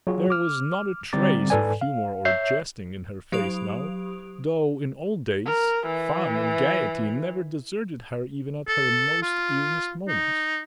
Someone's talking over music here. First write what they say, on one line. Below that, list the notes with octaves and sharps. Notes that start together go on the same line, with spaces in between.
There was not a trace of humor or jesting in her face now, though, in old days, fun and gayety never deserted her even at her most "earnest" moments.
F#3 F4 F#4 G#4
D6 F6
D3 G3 C4 A#5 D6 A6
G#2 A4 B4 D5 G#5
F5
C#5 E5 G6 C7
F#3 G4 D#6 D7 F7
A#4
E3
A4
F4
D#4